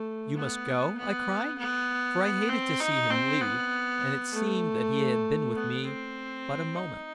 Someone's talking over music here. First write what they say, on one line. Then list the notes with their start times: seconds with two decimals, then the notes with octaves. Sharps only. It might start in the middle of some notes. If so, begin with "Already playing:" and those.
"You must go?" I cried, for I hated to see him leave and it seemed that he had been with me but a moment.
Already playing: A3
0.37 B3
0.98 B3
1.59 B3
2.50 C4
2.81 D#4
3.11 C4
3.41 B3
4.32 A3
5.54 B3
5.85 C4
6.77 D#4